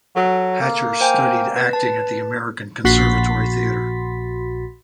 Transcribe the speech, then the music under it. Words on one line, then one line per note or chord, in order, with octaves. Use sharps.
Hatcher studied acting at the American Conservatory Theater.
F#3 A4
A#3
C5 G5 G#5
B4
B4 A5
A#1 F#4 B5 C6 A6 B6